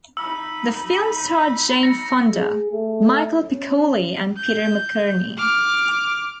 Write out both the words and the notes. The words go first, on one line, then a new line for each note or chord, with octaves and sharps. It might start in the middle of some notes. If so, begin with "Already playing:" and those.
The film starred Jane Fonda, Michel Piccoli and Peter McEnery.
D#4 B5 E6
A#6 C#7
G#4
A3
C#4
G6
D6 F6